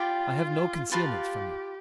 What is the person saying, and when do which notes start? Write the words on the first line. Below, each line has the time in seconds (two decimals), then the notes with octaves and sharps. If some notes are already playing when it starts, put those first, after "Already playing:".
I have no concealments from you.
Already playing: F4 G4 D5 G5 B5
0.92 F4 G4 B4 F5 A5